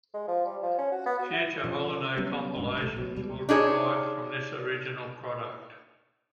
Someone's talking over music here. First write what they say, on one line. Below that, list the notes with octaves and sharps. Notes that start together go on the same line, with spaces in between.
Future holiday compilations will derive from this original product.
G#3
F3
G3
F3
C#4
F#4
B3
F#4
E4
C#3 F3 C#4
F#3 G3 B3 C#4
D1 G#2 D4
B1 A3
B2 F#3
C#2 B2 G3
D4 D#4 G#4 C#5